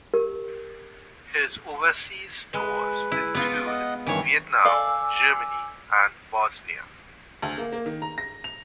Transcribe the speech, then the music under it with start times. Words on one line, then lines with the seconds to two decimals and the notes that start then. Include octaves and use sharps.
His overseas tours include Vietnam, Germany and Bosnia.
0.14 G4 A#4
2.54 G#3 B4
3.12 E4
3.35 B3 F4
3.67 D#5 F#5
4.07 G2 D#3 E3 C#5
4.65 A4 D5 F5 G#5 D6 E6
7.42 D2
7.58 A#3
7.73 A#3
7.86 D#3
8.02 A#5
8.18 A#6
8.44 F7